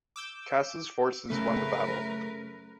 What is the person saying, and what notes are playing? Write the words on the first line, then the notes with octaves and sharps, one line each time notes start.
Kassa's forces won the battle.
D6 E6 G6
F#2 C#3 A3 A#4 B4